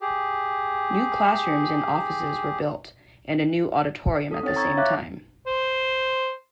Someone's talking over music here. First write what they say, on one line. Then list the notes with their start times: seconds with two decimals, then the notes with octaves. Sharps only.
New classrooms and offices were built, and a new auditorium at the same time.
0.01 G4 G#4
4.31 A4 D#6
4.43 C4 D#4 C#5 G5 A6
4.56 A#5 C#6 E6 G#6 A6
4.77 C#5 E5 F5 D6 F#6
5.47 C5